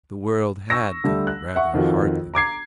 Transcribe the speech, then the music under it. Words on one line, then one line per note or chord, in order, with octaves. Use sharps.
The world had gone rather hardly with her.
C#6 E6 A#6
D3 G3 A3
F#6
E5 F#5 C#6
F2 D#3 F4 F#4
A#5 D6 G#6 C7